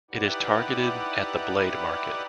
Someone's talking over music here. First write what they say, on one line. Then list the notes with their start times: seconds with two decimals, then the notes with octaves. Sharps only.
It is targeted at the "blade" market.
0.11 D#4 E4 G4 B4 D5 F#5